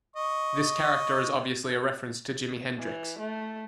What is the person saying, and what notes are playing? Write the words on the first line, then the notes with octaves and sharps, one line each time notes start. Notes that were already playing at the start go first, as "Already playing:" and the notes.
This character is obviously a reference to Jimi Hendrix.
D#5 C#6
E3
A3